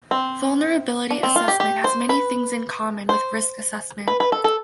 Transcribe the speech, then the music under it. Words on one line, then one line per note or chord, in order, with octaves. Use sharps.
Vulnerability assessment has many things in common with risk assessment.
C4
D4
C4
F4
G4
G4
C5
B4
C5
B4
B4
A4
A4